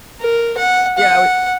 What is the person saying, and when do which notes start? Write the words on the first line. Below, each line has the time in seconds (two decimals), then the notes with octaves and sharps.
Yeah, we
0.21 A#4
0.57 F#5
0.98 F#5